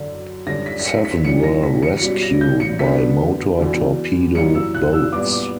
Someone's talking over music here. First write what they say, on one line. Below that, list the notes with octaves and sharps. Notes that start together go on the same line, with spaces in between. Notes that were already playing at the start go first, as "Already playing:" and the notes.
Seven were rescued by motor torpedo boats.
Already playing: F#2 D3 F#3
D3 G3 C#4 A#6
B6
B6
C#7
B6
F#2 E3 G3 C#4 C#7
A#6
B6
C#7
C#7
B2 G3 C#4 B6
A#6
G6
C#7
D3 F#3 B3 D4 B6
E2 D3 F#3
F#2 E3 G3 A#3 C#7
E6
F#6
E6
A#2 G3 B3 D6
D6